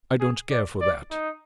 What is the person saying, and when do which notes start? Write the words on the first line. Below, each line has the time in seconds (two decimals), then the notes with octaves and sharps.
I don't care for that.
0.20 G#4
0.50 D5
0.81 D5
1.11 D#4